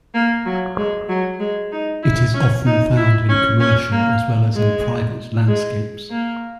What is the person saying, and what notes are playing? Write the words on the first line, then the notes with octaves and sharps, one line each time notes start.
It is often found in commercial as well as in private landscapes.
A#3
F#3
G#3
F#3
G#3
D#4
E4
C#4
D#4
E4
C#4
C#4
A#3
G#3
G#3
A#3